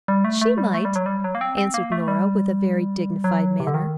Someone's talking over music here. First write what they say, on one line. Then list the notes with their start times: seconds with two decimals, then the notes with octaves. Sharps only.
"She might," answered Nora, with a very dignified manner.
0.08 G3
0.24 A3
0.41 A3
0.58 G3
0.74 A3
0.85 G3
0.96 F#3
1.06 G3
1.24 F#3
1.35 A#3
1.41 C4
1.57 C4
1.74 A#3
1.92 A3
2.08 G3
3.24 F#3
3.60 C3
3.67 D3
3.74 D#3